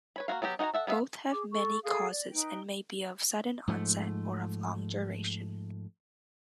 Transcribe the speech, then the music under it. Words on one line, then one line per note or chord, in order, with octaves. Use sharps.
Both have many causes and may be of sudden onset or of long duration.
B4 C#5 B5
A#3 C#4 F#4 F5
F#3 B3 F#4 G4
D#4 F#4 F#5 G#5 A#5
A4 E5 F#5
G3 B3 B4 E5 F5
G#4 D6
A4 C#6
G#4 A4 F5 D#6
D5
D#4 B4 G5
G#2 F3 A3